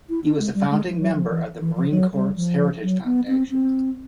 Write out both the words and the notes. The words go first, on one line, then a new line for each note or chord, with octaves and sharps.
He was a founding member of the Marine Corps Heritage Foundation.
E4
D4
G#3
G3
G#3
F3
F#3
F3
E3
E3
F3
F#3
G3
F3
F#3
B3
C4
C4